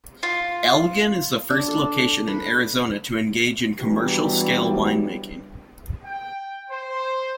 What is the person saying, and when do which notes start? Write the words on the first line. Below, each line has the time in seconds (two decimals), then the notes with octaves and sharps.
Elgin is the first location in Arizona to engage in commercial scale winemaking.
0.23 F4
1.50 D4
1.68 A4
2.27 B4
3.79 E2 G2 E3 F#3 G3
6.04 G5
6.71 C5